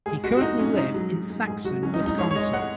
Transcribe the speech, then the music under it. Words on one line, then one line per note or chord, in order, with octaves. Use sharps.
He currently lives in Saxon, Wisconsin.
G#2 G#4
G#3 F#4
F#4
G#3 D#4
G#2 C#4
G#2 D#4
F#3
F#3
G#2
G#2 G#4
F#3 F#4
F#3 C#4
D#4
G#2
D#4
G#2 C#5
C#5
G#3 D#5
G#3 F#5